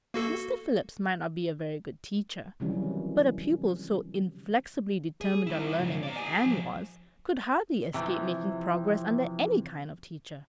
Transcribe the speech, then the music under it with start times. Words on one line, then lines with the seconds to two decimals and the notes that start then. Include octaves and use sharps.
Mr. Phillips might not be a very good teacher; but a pupil so inflexibly determined on learning as Anne was could hardly escape making progress under any kind of teacher.
0.14 A#3 F#4 A4
2.60 C3 D#3 E3 F#3 G3 C#4
5.21 G#4
5.47 G3 E4
5.79 C#3 F3
6.03 B3 D5
6.17 G4 G#5
6.46 F3 G3
7.94 C3 E3 F3